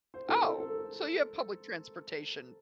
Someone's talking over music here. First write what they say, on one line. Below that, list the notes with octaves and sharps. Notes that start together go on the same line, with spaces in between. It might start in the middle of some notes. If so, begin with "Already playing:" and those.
Oh, so you have public transportation
C5
A4
A#4
A4